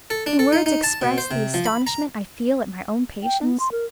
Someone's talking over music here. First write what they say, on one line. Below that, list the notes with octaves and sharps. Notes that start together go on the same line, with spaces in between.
Can words express the astonishment I feel at my own patience?
A4
D4
A4
D#4
D#4
A5
B2
C5
C3
F3
B5
A#5
G5
B3
C6
A#4